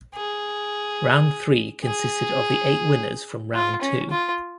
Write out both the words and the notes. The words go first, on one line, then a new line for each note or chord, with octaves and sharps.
Round three consisted of the eight winners from Round two.
G#4
G#4
F4
C#4
F4